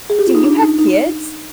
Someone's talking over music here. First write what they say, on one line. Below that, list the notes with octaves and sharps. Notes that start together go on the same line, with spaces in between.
"Do you have kids?
G#4
G4
F4
D#4
D4
D#4
D#4